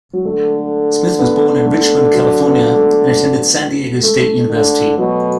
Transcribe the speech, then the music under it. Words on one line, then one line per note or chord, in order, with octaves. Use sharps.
Smith was born in Richmond, California, and attended San Diego State University.
F#3
D3 A3
B3
A3
F#3
B3
A3
A3
D3
B2 F#3